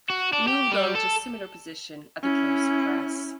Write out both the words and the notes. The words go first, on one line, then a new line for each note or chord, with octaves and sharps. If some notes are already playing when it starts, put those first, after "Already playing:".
He moved on to a similar position at the Cloister Press.
F#4
D4
G4
G3
A4
C#4 E4